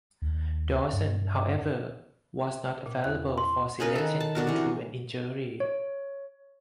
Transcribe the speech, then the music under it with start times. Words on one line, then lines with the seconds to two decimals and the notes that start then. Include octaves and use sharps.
Dawson however was not available for selection due to an injury.
0.22 D#2
0.93 G2
2.86 A#2
3.04 E2 F#6
3.38 C6
3.80 C#3 G#4 A#4 B4
3.95 D#3 A4
4.20 A5
4.35 D3 D4 F#4 A#4
4.47 C3 E3
5.60 C#5